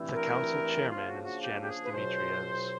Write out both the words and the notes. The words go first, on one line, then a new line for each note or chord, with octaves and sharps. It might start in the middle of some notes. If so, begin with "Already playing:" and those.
The Council Chairman is Janis Dimitrijevs.
Already playing: G2 E3 A3 C4 E4
A#4
C#3 F3 A#3 D4 F4
F#4
F#4
G4
G4
G#4
B4
C#2 B2 F#3 C5